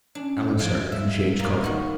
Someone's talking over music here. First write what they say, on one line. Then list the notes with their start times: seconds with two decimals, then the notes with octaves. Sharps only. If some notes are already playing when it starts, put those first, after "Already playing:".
Allan started, and changed color.
0.15 C#4 D4
0.59 F3 G#3 D7
0.92 G3 E5
1.39 A#3 D5
1.64 D#3 F#4